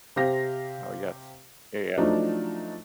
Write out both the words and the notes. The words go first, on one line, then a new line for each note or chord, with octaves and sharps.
Oh, yes. Yeah, yeah.
C3 C4 G4 F5 A#6
F3 F#3 A3 D4 D#4